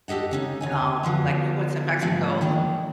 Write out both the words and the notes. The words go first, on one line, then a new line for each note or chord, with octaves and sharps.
um, like, we went to Mexico.
D4 G4 A4 D#5 F#5
C#3 C#4 D#4
D2 C#5 G#5
D3 F3 F#3 B3
G#2 D3 F3 G3 A3 A#3
D#3 E3 A#3 D4